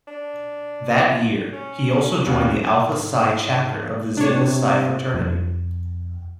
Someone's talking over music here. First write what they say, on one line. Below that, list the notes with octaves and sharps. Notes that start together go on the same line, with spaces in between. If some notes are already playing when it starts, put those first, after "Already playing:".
That year, he also joined the Alpha Psi Chapter of the Zeta Psi Fraternity.
D4
C#4
D#2 C#4
G#2
C3 D4 C#5
F2